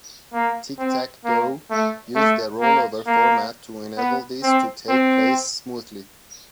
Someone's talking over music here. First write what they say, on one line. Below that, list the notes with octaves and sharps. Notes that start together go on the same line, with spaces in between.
"Tic-Tac-Dough" used a rollover format to enable this to take place smoothly.
A#3
C4
A#3
A3
A3
A#3
A#3
B3
C4
C4